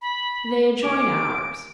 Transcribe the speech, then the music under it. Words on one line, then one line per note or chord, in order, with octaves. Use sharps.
They adjoin ours.
B5
D#2 G#5 D6 D7